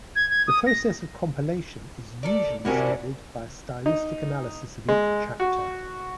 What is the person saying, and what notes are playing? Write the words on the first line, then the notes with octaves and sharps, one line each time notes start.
The process of compilation is usually studied by stylistic analysis of each chapter.
G#6
G#6
D#6
A#6
A4 A#4 D5
C3 C#4 D4 E4 F#4 A#4 G#5
D#4
G#3
F#4